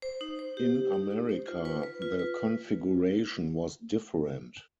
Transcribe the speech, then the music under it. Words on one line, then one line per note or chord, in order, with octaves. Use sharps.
In America, the configuration was different.
C5
D#4
C5
G4
G4
D#4
D#4
C5
F4
B4
B4
F4
B4